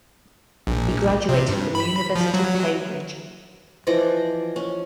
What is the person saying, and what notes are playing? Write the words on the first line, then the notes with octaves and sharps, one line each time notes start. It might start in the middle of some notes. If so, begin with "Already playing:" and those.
He graduated from the University of Cambridge.
A#1
C3
G2
B5
F3
F#3
E3 F3 D5 D#5
C#4